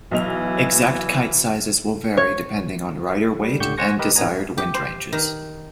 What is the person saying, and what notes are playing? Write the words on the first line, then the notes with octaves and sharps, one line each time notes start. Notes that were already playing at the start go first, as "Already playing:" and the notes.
Exact kite sizes will vary depending on rider weight and desired wind ranges.
B1 E3 D#5 F7
C#5
G3
C#2 A2 D3 G4 C#6 G6
C5 F#5 G#5 C#6 A#6
G4 A#4 B4 D#5
A1 D#3 B3 D4 G#5 A#5
G4
C5
D#3